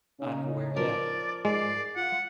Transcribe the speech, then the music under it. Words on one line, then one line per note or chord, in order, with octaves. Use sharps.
I'm aware, yeah.
C#3 C#4 D#4
F3 A#4 D5
G#2 G#3 D5 C7
F4 F#5